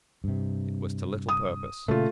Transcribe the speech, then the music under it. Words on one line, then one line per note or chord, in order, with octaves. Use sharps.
It was to little purpose.
G2 C3
D#6
A#2 C#3 A3 F4